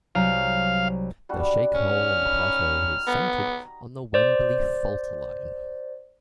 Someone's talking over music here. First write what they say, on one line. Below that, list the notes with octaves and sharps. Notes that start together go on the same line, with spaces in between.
The shakehole on the plateau is centred on the Wembley Fault line.
C2 F#3 F5 A#5
G3 D4 F#4
C#4 F6
D#4 A#5 B5
B3 A#5
C5 D5